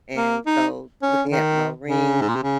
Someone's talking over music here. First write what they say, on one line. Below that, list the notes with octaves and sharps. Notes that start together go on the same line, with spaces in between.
and so, looking at my ring
A#3
D#4
C#4
D#3
C#3
G#2
A#2
C3
C#3